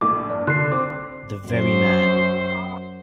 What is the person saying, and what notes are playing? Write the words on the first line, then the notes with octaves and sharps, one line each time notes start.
The very man.
A#1 A2 D6
G2 D5
D3 C6 F#6 C7
C4 D6
F#2 C5